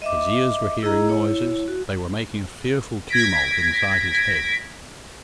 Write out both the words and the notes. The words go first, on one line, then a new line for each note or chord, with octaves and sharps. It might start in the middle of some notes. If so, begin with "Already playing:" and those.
His ears were hearing noises--they were making a fearful tumult inside his head.
D#5 E5 D6
E4 G#4 D#5 A#5
E4 C#5
F#4
G#6 A#6 B6 D7